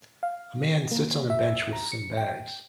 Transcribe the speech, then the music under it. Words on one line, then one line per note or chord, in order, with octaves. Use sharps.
A man sits on a bench with some bags.
F5
A#3
E5
A#5
C#7
G5